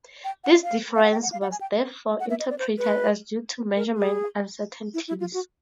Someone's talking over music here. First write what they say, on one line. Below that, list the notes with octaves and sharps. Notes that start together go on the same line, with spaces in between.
This difference was therefore interpreted as due to measurement uncertainties.
G5
F#5
F5
F5
F#5
G5
F#5
F5
F#5
G#5
G5
F#5
E5
D#5
D5
C5
B4
A#4
G#4
E4
E4
F4
F#4